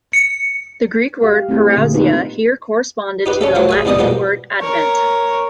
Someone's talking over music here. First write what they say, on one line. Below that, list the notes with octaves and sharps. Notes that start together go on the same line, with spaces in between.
The Greek word parousia here corresponded to the Latin word advent.
C#7
G4 F5
A3 C4 E4 G4 G#4
A#2 D3 A#3 C4
C4 D#4 F4 G4 B4
D#4 G4 B4
C#4 A4 E5
F3 F#3 A3 A#3
G#4 E5 G#5
A1 D#2 G3 D5 D#5 D#6
B2 F3 G3 G#3 A#3
A#4 C#5